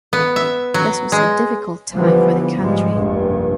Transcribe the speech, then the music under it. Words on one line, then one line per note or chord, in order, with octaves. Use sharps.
This was a difficult time for the country.
B3
E5
F#3
G#3
D3 E3 F3 G3 B3
G#2 F3 G3 G#3
F1 A#1 G2